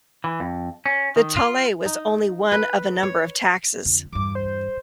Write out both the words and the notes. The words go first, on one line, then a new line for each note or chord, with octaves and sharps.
The taille was only one of a number of taxes.
E3
F2
C#4
D#3
F4
D#4
B4
C#5
F2 D3
E2 G2 D6
C5